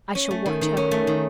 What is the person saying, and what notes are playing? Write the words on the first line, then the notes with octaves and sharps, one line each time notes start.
I shall watch her.
C#4
A3
D#3
D#3
C#4
A3
D#3